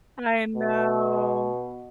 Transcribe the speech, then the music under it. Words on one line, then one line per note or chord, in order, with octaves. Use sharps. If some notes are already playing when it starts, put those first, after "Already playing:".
I know.
B2